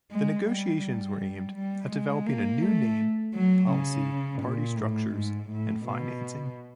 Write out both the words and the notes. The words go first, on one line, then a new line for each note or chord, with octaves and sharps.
The negotiations were aimed at developing a new name, policy, party structures and financing.
G#3
G3
G3
G3
G#3
A#3
A3
F#3
C#3
A#2
A2
G#2
A2
B2